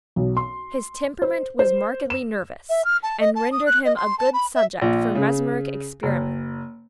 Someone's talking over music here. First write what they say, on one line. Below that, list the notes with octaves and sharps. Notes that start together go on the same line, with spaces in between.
His temperament was markedly nervous, and rendered him a good subject for mesmeric experiment.
B1
C6
C5
C5
E7
E5
F6
A5
D#5
A5
D#6
F#6
D#5
C6
A5
B5
E5
A#1
C#3
F#1